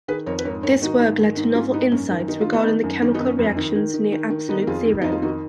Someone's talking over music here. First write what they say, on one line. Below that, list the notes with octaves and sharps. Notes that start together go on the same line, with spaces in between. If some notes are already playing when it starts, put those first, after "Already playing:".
This work led to novel insights regarding the chemical reactions near absolute zero.
D#3 G#4 B4
F2 A#4 C#5
B4
G#2 A#4 C#5
G#2 A#4 C#5
D#3 D#4 F#4
G#2
D#3
G#2
G#2 C#4 F4
G#2 B3 D#4
F#2 C#4
D#3
D#3 D#4
F4
D#3
B3 D#4
D#3
F#2
D#3 C#4
B3 D#4
F#2
C#4
F2
D#3
D#3
D#3
D#3
D#3
D#3 B3 D#4
A#4
F2 F4 G#4
D#3
F2 D#4
F4
D#3 D#4 F#4